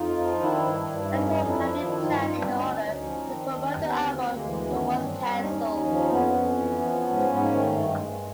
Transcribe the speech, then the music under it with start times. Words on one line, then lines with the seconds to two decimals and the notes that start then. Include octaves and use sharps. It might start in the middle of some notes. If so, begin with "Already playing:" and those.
A tour had been planned in order to promote the album, but was canceled.
Already playing: F2 D#4 F4
0.17 F3
0.40 D#3 D4 E4
0.64 G2
0.88 G2
1.12 F2 C#4 D#4
1.36 F2
1.47 D4 E4
1.60 F3
1.83 D#3 D4 E4
2.01 D#4 F4
2.06 G2 E4
2.18 D#4 F4
2.30 G2
2.37 C4 D4
2.54 D2 C#4 D#4
2.78 D2
2.90 C#4 D#4
3.03 F3
3.25 D#3 C4 D4
3.50 D#2
3.61 C#4
3.72 D#2 D4
3.83 B3 C#4
3.97 D2 A#3 C4
4.15 A#3 C4
4.20 D2
4.33 G#3 A#3
4.44 E3
4.50 G#3
4.68 D#3 B3 C#4
4.93 G2
5.04 C4 D4
5.15 G2
5.40 D#2 C#4 D#4
5.64 D#2
5.88 F3
6.11 F2 B3 C#4
6.35 F2
6.58 E3
6.82 F3
7.07 G#2
7.30 G#2 B3
7.42 A#3
7.53 D#3 A3
7.77 G2
7.89 G#3
8.01 G2